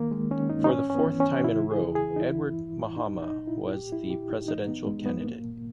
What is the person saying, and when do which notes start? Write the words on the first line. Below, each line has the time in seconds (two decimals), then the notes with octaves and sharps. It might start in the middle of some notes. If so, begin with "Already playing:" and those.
For the fourth time in a row, Edward Mahama was the presidential candidate.
Already playing: D#3 A#3
0.11 D#3 G#3
0.31 D#3 C#4
0.50 G2 D#4
0.64 D#4
0.69 G#2 C#4
0.88 E3 C#4
0.95 B3
1.07 E3
1.20 C#4
1.25 E3
1.44 C#3 E4
1.64 E2
1.71 G#4
1.83 E2
1.95 G#4
2.02 E2
2.16 D#4
2.21 E3 E4
2.40 G2
2.59 G2
2.78 G2
2.96 A#2 D#4
3.15 A#2
3.22 D#4
3.34 A#2
3.48 E4
3.53 A#2
3.73 A#2 G4
3.91 A#2 E4
4.10 A#2 G4
4.30 A#2 D#4
4.48 E3 D#4
4.68 G2 B3
4.87 G2 G#3
5.06 G2 B3
5.24 A#2 A#3
5.44 A#2